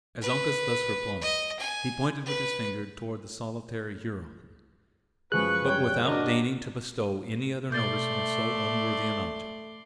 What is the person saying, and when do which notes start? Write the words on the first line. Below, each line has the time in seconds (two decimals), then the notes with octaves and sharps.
As Uncas thus replied, he pointed with his finger toward the solitary Huron, but without deigning to bestow any other notice on so unworthy an object.
0.22 B4
1.21 D#5
1.60 G#5
2.25 B4
5.32 F#2 F3 G#3 G#4 B4 C#6 F#6
5.67 G3 C#5 G5
6.05 D4 F#4 A#4 D#5
7.70 B2 A3 D5 C6 G6 A6